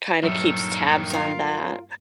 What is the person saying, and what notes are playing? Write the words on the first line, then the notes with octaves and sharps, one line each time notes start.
kinda keeps tabs on that.
G2 A#2 D#3 F#3 A4 E5 B5
F4 A#4